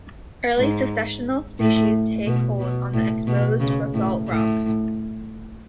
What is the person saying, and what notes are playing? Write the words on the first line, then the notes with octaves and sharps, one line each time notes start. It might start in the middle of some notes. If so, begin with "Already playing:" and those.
Early successional species take hold on the exposed basalt rocks.
G#2
A2
B2
B2
A2
B2
C#3
A2
A2